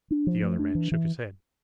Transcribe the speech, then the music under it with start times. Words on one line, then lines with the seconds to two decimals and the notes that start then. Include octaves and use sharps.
The other man shook his head.
0.10 D4
0.27 F3
0.42 A3
0.59 D4
0.75 E3
0.92 E3